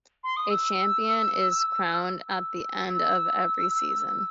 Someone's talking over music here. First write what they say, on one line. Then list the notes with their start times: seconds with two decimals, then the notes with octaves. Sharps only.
A champion is crowned at the end of every season.
0.24 C6
0.37 D#6
0.50 E6
2.30 E6
2.89 E6